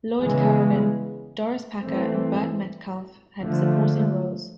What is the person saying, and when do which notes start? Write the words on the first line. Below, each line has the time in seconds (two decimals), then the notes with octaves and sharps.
Lloyd Corrigan, Doris Packer, and Burt Metcalfe had supporting roles.
0.21 C#3 E3 G#3 B3
1.81 E3 A3 C4
3.41 D3 F3 A3